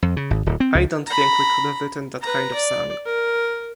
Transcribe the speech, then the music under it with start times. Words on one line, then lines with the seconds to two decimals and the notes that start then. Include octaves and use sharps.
I don't think we could have written that kind of song.
0.02 F2
0.17 C#3
0.30 G#1
0.46 D1
0.60 C4
0.75 C#2
1.06 A#5 B5
2.21 B4 A#5
2.54 D5
3.06 A#4